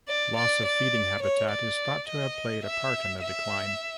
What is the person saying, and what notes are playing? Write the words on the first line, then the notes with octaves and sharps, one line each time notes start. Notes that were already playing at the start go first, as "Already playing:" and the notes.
Loss of feeding habitat is thought to have played a part in the decline.
D5
D5
D5
C#5
D5
D#5
E5
E5